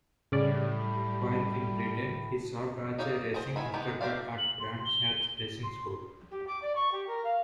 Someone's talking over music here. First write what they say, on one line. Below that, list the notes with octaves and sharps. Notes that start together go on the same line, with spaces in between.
While in Britain he served as a racing instructor at Brands Hatch racing school.
A2 C#3 G3 C#4 D5
D#4 G4 C#5 D#5 F5
G#4 C5
D#3 E4 G#5 B5
G#3 B3 D#4 G4
A3 D4 G4 D5 F5
F#7
C6
G7
C6
G4
D6
D5
C#6
G4
A#4
F5